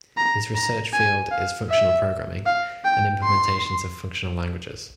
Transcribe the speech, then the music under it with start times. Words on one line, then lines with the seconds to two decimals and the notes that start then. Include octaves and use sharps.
His research field is functional programming and implementations of functional languages.
0.17 A#5
0.55 A#5
0.93 G#5
1.31 F5
1.70 E5
2.46 F5
2.85 G5
3.24 C6